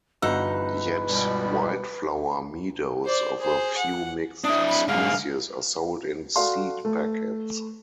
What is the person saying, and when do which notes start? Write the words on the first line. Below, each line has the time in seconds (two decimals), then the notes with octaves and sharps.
Yet "wildflower" meadows of a few mixed species are sold in seed packets.
0.22 G1 E2 D#4 F#4 B4 F#5 E6
1.07 C#2 B2 G3
3.06 C5 D5
3.39 G#4 C5
3.77 F#5
4.44 D4 E4 D#6
4.68 B5
4.88 G#2 D3 F5
6.36 F#4 A4 D5 F5 C6
6.85 A3